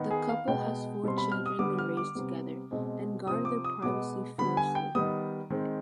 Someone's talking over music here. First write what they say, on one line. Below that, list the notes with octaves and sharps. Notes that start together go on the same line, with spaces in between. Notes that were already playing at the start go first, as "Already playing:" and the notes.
The couple has four children they raise together, and guard their privacy fiercely.
Already playing: D#3 B3
G#4
F5
B2 G#3 B3 G5
B2 G3 C4 C6
B5
F6
D#6
D3 G3 B3 D6
F6
D6
C3 G3 B3
B2 G#3 C4
C3 F3 C4 D#6
D6
D#6
B2 G#3 B3 D6
D3 G3 B3 B5
G#5
G5
D#3 G3 B3 D#6
D#3 G#3 C4